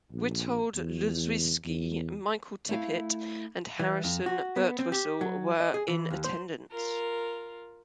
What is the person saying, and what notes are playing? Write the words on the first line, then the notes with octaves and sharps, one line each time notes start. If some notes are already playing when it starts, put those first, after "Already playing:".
Witold Lutoslawski, Michael Tippett and Harrison Birtwistle were in attendance.
A#1
E2
E2
A3 E4 F5
E3
F2
F#4
B3
C4
G4
F#3
D#5
G#4
E3
D#2
C5
F4 A#4